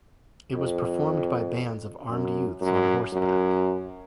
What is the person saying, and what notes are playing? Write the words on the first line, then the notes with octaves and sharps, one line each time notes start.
It was performed by bands of armed youths on horseback.
F2
F#2
F#2
F#2